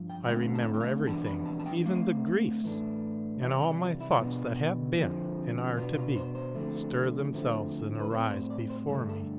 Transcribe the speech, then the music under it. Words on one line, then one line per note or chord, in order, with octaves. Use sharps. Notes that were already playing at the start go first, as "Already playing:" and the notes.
I remember everything, even the griefs, and all my thoughts that have been and are to be bestir themselves and arise before me.
Already playing: G2 F3
G5
D3 A3 C4 G5
A5
G5
F5
F2 E3 G3 B3 D4 A5
B5
A5
A5
G5
D3 A3 C4 F5
A2 E3 A3 D4
C3 E3 G3 E5
D5
F4
E4
B2 B3 D4 F4
F2 D3 F3 C4
B2 B3 D4 F4
F4
C5
C5
F2 D3 A3
D3 F3 A3 C4
B4
A2 G3 C4 C5
C5
D5
C5
G2 D3 A3 A4
A4